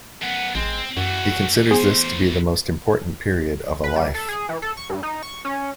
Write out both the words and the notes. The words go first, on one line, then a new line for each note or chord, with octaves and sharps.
He considers this to be the most important period of a life.
F#2 B3 F#5
A1 G#3 C4
F#2 E3 A3 F#4
B3 G#4 C5
B4
G3
A4
G#4
E3
A4
C#6
G2
D#4
C#6
C#4